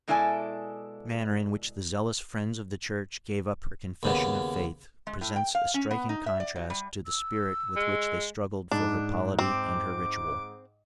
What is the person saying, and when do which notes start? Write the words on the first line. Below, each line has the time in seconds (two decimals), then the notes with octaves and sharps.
The easy manner in which the zealous friends of the Church gave up her confession of faith presents a striking contrast to the spirit with which they struggled for her polity and her ritual.
0.08 B2 G#3 E4 A4 D5 G#5
4.03 D#2 C#3 B3
5.07 G#3
5.21 A2
5.36 G5
5.55 F5
5.74 C#4
5.91 B3
6.09 D#4
6.26 E5
6.40 D5
6.56 F#3
6.70 G3
7.06 E6
7.76 G#3
8.72 G#2 D4
9.39 C4 D6